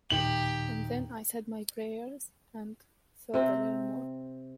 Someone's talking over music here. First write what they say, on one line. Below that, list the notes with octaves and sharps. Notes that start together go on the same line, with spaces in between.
And then I said my prayers and thought a little more.
D#2 A#2 D#3 G4 F#7
C3 C4